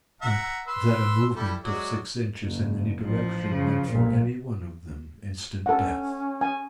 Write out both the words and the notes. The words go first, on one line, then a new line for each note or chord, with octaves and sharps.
But--that a movement of six inches in any direction meant for any one of them instant death.
E5 F#5 A#5
B4 C6 E6
G3 E4 A4
F#3 G#3 D5
F#1
A1 F3
C#3
B1 A#2
C#4 A4 F#5
G#5